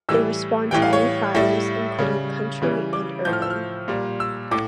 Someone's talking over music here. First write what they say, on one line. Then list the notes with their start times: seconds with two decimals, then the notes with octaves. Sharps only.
They respond to any fires including country and urban.
0.09 A2 E3 G3 E6
0.71 A2 E3 G3 G5
0.82 F5
0.93 C#5
1.35 A2 G3 E5
1.99 C#3 G3
2.62 C#3 E3 G3
2.93 D6
3.25 A2 F3 G6
3.33 F6
3.42 E6
3.50 F6
3.88 A#2 G3
4.20 E6
4.51 A2 D6